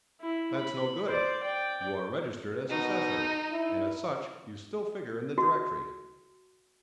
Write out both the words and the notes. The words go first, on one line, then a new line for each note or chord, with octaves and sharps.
"That's no good; you are registered as assessor, and as such you still figure in the directory."
E4
B5
C5 D5
D5 G5
B2 D#4
E4
F#4